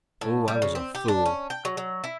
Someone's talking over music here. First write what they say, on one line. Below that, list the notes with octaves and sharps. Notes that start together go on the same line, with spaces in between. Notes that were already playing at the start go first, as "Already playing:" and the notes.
Oh, I was a fool!
A2
G3
C#3
C4
G4
D4
C#4
G5
F#3
F#3
E4